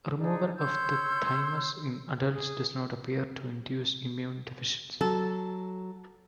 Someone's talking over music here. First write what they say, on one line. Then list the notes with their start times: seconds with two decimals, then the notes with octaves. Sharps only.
Removal of the thymus in adults does not appear to induce immune deficiency.
0.16 D4 D#4 G#4
0.58 C#5 C6 E6 G6
2.31 G#4
5.01 F#3 A4